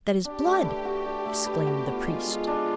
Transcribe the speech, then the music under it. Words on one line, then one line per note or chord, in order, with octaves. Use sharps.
"That is blood!" exclaimed the priest.
D4 G4
A3
B4
F#4
D4
A3
B4
F#4
B3 F4
G#3
G#3
D4